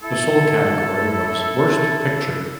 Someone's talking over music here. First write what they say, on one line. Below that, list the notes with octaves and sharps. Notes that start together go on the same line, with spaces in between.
The sole category was Worst Picture.
E4 A4